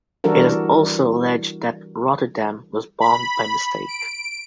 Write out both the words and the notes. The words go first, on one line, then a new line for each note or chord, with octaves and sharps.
It is also alleged that Rotterdam was bombed by mistake.
E3 G3 D4 F#4 A4 A#4
B5
D7